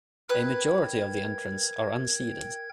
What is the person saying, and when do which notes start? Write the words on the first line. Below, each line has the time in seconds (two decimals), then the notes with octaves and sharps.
A majority of the entrants are unseeded.
0.29 A#4 B4 G5 F#6 G#6